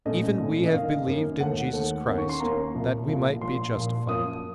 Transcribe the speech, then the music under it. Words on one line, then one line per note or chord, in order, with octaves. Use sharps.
Even we have believed in Jesus Christ, that we might be justified.
A#1 A2 A3 C#4 D#5
A#1 A2 A3 C#4
D#5
F#2 D#3 A#3 C#4 F5
F#2 D#3 A#3 C#4
D#2 D#3 A3 F#5
D#2 D#3 A3
D#2 D#3 A#3 C#4
C#6
C6
D#2 D#3 A#3 C#4 A#5
C2 A#2 F3
C2 A#2 F3
A#1 A#2 F3 C6
A#1 A#2 F3
F#2 F3 A#3 D#6